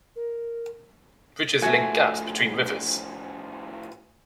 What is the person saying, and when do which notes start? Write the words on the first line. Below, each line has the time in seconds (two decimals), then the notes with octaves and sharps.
Bridges link gaps between rivers.
0.16 A#4
1.62 A2 F3 A3 F#4 G#5